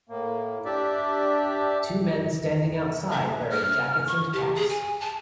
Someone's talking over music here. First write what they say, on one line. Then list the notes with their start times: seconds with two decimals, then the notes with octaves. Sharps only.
Two men standing outside wearing jackets and caps.
0.09 A2 A#3
0.65 D4 G4 D5 E5
3.12 E5
3.50 F6
4.07 C#6
4.33 G4
4.55 G#4
4.70 G#5
5.01 A5